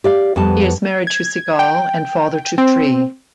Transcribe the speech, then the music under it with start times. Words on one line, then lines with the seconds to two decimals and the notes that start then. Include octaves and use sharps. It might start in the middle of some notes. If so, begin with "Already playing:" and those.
He is married to Sigal and father to three.
0.04 G4 D5 F5
0.36 F2 G3 B3 A5
1.07 G#6
1.59 G5
2.58 C4